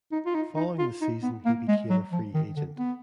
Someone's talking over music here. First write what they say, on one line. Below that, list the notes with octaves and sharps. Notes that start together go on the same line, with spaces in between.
Following the season, he became a free agent.
D#4
F4
D#4
D#4
F4
D#4
B3
A#3
G#3
F#3
F3
D#3
D3
B3